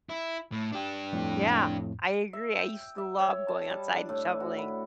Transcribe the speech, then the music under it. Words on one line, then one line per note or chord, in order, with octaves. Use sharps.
Yeah, I agree, I used to love going outside and shoveling,
E4
A2
D4 G4
F2 A2
E5
G5
E5
C#5
A5
G3
D4
A2
F#4
B5